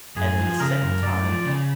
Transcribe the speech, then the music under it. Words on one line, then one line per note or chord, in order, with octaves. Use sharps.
and then the second time
F#2 G#4
F3
C#3 A#4
F#2
F#2 D5
F3
C#3